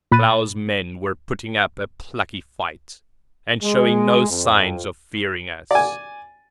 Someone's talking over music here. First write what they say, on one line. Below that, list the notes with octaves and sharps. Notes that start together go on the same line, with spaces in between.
Klow's men were putting up a plucky fight, and showing no signs of fearing us.
A#2 B5 F#6 A6 D#7
G#3
F2
D5 G#5